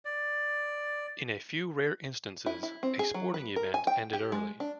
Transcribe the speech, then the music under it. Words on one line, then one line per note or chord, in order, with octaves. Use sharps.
In a few rare instances a sporting event ended early.
D5
E4
E4
C4
G#4
F#3
B4
A#4
G#5
G5
G4
G#3
D4